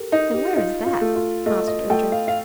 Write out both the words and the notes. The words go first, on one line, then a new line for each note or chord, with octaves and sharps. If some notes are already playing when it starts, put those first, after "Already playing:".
"And where is that?" asked Ojo.
Already playing: G4 A4 A#4
D#4
G4
D#4 F4
F4
A3
F4
A3 D#5
D#5
A3 G5
F5
F5